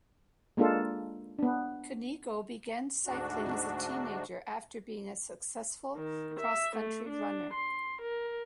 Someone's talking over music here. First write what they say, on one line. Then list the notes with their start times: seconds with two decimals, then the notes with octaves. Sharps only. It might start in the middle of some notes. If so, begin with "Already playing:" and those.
Cunego began cycling as a teenager after being a successful cross-country runner.
0.57 G#3 A#3 D4 F4 A4
1.39 B3 D4
3.06 D2 G#2 D4 F#4
5.96 D#3
6.40 E5
6.76 A3
7.09 D4
7.54 C6
8.02 A#4